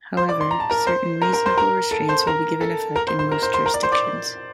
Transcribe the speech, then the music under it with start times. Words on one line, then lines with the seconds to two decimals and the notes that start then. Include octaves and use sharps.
However, certain "reasonable" restraints will be given effect in most jurisdictions.
0.17 C5 C6
0.29 D5 D6
0.41 C6
0.51 A#5
0.60 A5
0.70 A#4 A#5
0.87 C5 C6
1.22 A#4 A#5
1.33 A#4 A#5
1.46 C5 C6
1.57 A#4 A#5
1.91 A4 A5
2.09 C5 C6
2.27 A#4 A#5
2.61 A4 A5
2.96 A#4 A#5
3.07 C5 C6
3.19 C5 C6
3.32 A#4 A#5
3.43 C5 C6
3.54 C5 C6
3.66 A#4 A#5
3.74 D5 D6
3.83 C5 C6
3.92 D5 D6